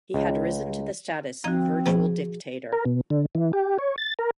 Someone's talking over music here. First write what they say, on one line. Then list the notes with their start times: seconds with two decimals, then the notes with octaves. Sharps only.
He had risen to the status of virtual dictator.
0.14 C#2
1.44 F3 C4 D#4 F#4
1.86 B2 F3 B3 G#4
2.73 A#4
2.85 B2
3.10 D3
3.35 E3
3.53 G4
3.79 C#5
3.98 A6
4.19 A#4